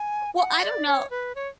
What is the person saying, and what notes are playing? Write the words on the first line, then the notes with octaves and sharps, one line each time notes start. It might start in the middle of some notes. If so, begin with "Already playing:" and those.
Well, I don't know
Already playing: G#5
F#5
D5
C#5
B4
C#5